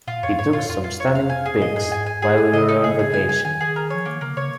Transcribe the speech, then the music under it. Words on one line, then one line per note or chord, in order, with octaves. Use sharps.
He took some stunning pics while we were on vacation.
A#2 F4
F2 C#5
G#2 C#5
A#2 F4
F2 F4
F4
C#5
F5
G#5
G#4
A#2 D#5
G#2 G#4
F2
G#2 G#5
G#5
G#4
G#5
C#3 D#5
D#4
G#4
G#4
G#5
G#5
D#3 G#5
G#4
A#4
F3 C#5
D#3 A#3
C#3 A#3
C#3 C#5